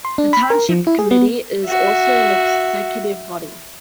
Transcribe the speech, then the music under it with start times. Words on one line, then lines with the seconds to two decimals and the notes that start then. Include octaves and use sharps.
The Township Committee is also an executive body.
0.05 C6
0.18 D4
0.33 B5
0.50 A#4
0.69 F3
0.87 E4
0.99 G#4
1.11 B3
1.65 F#4 E5